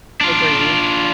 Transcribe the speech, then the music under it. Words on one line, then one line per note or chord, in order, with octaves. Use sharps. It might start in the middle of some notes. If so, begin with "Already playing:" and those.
I agree.
D4 F4